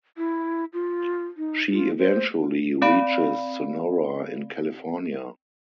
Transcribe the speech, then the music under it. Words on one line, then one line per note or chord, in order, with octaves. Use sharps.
She eventually reaches Sonora in California.
E4
F4
D#4
F4
C5
C4 D5 F5 B5 D7